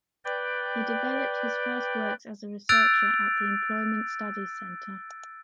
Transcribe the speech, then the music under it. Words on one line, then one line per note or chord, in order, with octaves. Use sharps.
He developed his first works as a researcher at the Employment Studies Center.
B4 D5 G5
E6 F#6 G6 A6 D7 F7